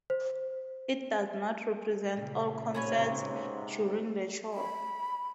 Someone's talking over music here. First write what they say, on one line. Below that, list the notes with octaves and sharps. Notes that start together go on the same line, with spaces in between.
It does not represent all concerts during the tour.
C5
A#2 C#3
G#2 C3 C#4 B4 C#5
B5